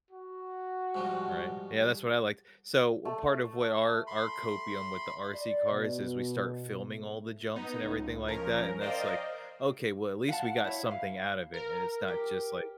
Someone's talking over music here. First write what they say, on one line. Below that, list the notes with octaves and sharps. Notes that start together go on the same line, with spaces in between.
Right? Yeah, that's what I liked. So, what part of where our our copium with the RC cars is we start filming all the jumps, and everything like that, and then it's like, "Okay, well, at least we got something out of it," and it's not just, like,
F#4
G#2 F3 G3
A3
B5 C6
D5
B2
A3
B3 D#4
C#2
F3 C#4 A#4
A#4 C5 D5 D#5 F5 G5
F5 F#5 A5
E4 C#5
F5
A#4
G4